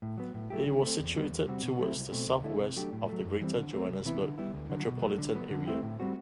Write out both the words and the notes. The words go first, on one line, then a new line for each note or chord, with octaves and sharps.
It was situated towards the south west of the Greater Johannesburg Metropolitan Area.
A2
F#3 B3
A2
F#3 A3 E4 G4
D3
A3 C4
E2
D3 G3 B3
E2
C3 G3 C4 F#4
B2
F#3 A3 C4 E4
C2
B2 A3 C4
D2
D3 A3 E4
C3
F#3 A3 D4 G4
A2
F#3 A3
F#2
E3 G3 C4
D3
A3 C4
C2
C3 E3 B3 E4
D3
G3 B3 E4
D2
D3 F#3
B2
F#3 A3
D3
F#3 B3
D3
A3 C4 E4 G4
A2
G3 C4 F#4